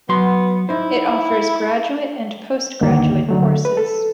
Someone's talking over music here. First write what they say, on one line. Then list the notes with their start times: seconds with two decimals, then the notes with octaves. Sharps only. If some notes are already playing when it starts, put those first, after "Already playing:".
It offers graduate and postgraduate courses.
0.09 F#3 B3 F#4 C6
0.69 D#4 E4 C5
2.81 D2 G2 D#3 A#3
3.29 D3 F#3 A3
3.65 B4
3.77 A4